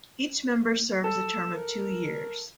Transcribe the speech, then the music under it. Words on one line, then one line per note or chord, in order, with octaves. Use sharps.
Each member serves a term of two years.
A4 E6
A#4